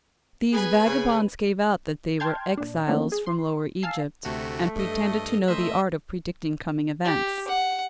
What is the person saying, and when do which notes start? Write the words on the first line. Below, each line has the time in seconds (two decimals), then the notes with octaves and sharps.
These vagabonds gave out that they were exiles from Lower Egypt, and pretended to know the art of predicting coming events.
0.53 B3 G#4 B4 G#5
0.86 C#3 G#4
2.20 G5 A5 C6 F6 G6 G#6
2.57 A#2 D4
2.87 E3 F3 A3 A#3 C#4 D4
3.12 G#4
3.26 C6
3.83 F5 G#5 A5 E6 C7
4.25 D2 C3 A3 F#4
4.75 G2 A4 D#5
5.08 A4
5.48 F#2 A3 C5 D#5 E5
7.04 G4
7.47 F#5